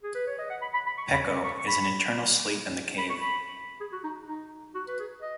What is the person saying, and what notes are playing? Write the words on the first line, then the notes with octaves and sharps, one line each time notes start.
Peko is in eternal sleep in the cave.
G#4
B4
C#5
D#5
F#5
B5
B5
B5
C#6
B5
C#6
C#6
B5
B5
C#6
B5
G#4
F#4
D#4
D#4
F#4
B4
G#4
D#5